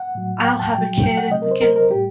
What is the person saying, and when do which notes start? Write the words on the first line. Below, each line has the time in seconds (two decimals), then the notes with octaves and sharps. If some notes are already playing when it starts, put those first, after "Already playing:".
I'll have a kid, and we can
Already playing: F#5
0.15 A2 F#3
0.45 G5
0.59 A5
0.74 A#2 F#3 G5
1.03 G5
1.18 F#5
1.32 C3 F#3 D#5
1.42 A#4
1.51 C5
1.62 A#4
1.76 A#4
1.90 A2 G3 G4